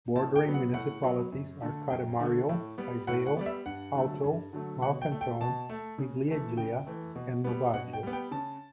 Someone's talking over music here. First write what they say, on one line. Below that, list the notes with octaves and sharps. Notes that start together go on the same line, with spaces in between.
Bordering municipalities are Cademario, Iseo, Alto Malcantone, Miglieglia and Novaggio.
A2 A5
G5
F#3 B3
F#5
A2 F#5
F#3 B3
F#2
D3 A3
F#2 G5
D3 A3
A2
G3 B3
A2 F#5
F#5
G3 B3 D5
E5
G2 F#5
D3 F#3 A3
G2
D3 F#3 A3
B2 F#5
G5
A3
G5
B2 A5
A3
C#3
E3 A3
C#3 G5
E3 A3
B2
G3 B3
B2 F#5
G5
G3 B3
G5
C#3 A5